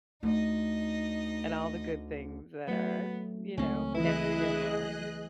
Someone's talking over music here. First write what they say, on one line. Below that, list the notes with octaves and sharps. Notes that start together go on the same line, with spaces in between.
and all the good things that are, you know, next in line.
D2 A3 D#4 D#5
F#3 A3 B3
C#2 A3 C4 C#4
E3 E4 G#4 B4 D#5 F#6